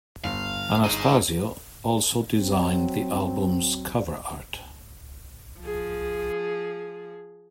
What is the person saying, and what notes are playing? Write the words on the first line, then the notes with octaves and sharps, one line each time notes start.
Anastasio also designed the album's cover art.
G1 F5
D#4 G#4
F#3 C4
F3 G#4